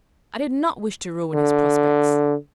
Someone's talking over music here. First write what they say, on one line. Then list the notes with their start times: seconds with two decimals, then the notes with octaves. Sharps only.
I did not wish to ruin his prospects.'
1.34 D3